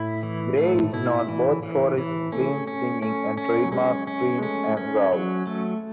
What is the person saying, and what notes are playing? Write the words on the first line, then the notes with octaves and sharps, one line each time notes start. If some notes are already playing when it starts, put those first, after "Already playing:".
Gray is known both for his clean singing and trademark screams and growls.
Already playing: A2 E4
E3
A3
G#2
A2
B2 E4
E3
E3
E3
A3 C#4
C#4
A3 C#4
C#4
F#3
G#3 C#4
C#4
G#3
A3 C#4
C#4
F#3
A3